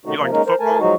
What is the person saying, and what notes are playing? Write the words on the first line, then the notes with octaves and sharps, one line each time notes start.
You like the football?
C3 D#3 A3 C#4 D#4 F#4
C3 F3 A#3
G#3 A#3 C#4 D#4 A#4
A#4 C5
A3 A#4 G#5 A5
F3 F#3 G#3 D#4 F#4